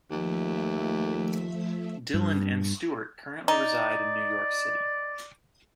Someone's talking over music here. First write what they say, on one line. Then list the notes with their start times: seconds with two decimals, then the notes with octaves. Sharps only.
Dillon and Stuart currently reside in New York City.
0.10 D#2 F3 A3 E5
2.14 G2
3.48 D#4 D5